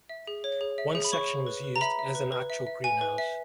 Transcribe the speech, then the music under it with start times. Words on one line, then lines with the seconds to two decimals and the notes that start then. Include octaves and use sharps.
One section was used as an actual greenhouse.
0.09 E5
0.27 G#4
0.44 C#5
0.61 G#4
0.78 E5
0.95 G#4
1.05 B5
1.12 C#5 C#6
1.30 G#4
1.47 B4
1.64 B4
1.76 A#5
1.81 E5 B5
1.99 E5
2.15 B4
2.32 B4
2.50 E5
2.67 E5
2.84 B4 G#5
3.01 B4
3.18 E5